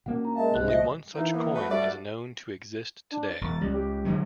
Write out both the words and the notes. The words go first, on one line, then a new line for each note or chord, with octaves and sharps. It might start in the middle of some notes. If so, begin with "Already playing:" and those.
Only one such coin is known to exist today.
B2 A#3 C#4 F#5
D4 A#5
G#3 A#4 E5 F5 A5
C2 G#2 C#3 G#3 F#6
B2 F3 A3 D#5
E3 A#3 B3 D#4
A#3 B3
A3 F#4 B4
C2 G2 G3 A3 F#4 D5
D4
A6
E1
C#2 G3
G4
D3 F#3 G#3